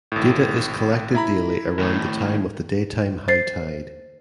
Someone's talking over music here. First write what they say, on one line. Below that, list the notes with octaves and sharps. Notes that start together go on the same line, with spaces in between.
Data is collected daily around the time of the daytime high tide.
G#1 A2
E4 A#5 B5
D#2 A2
C5 A6 C7